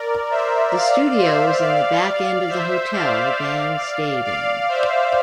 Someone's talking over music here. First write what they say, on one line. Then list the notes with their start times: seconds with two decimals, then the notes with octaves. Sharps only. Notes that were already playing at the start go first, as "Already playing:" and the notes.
The studio was in the back end of the hotel the band stayed in.
Already playing: A#4 D5
0.31 C5 E5
0.74 D5 F5
1.18 C5 E5
1.62 D5 F5
2.49 C5 E5
2.93 D5 F5
4.24 D5 F5
4.69 C5 E5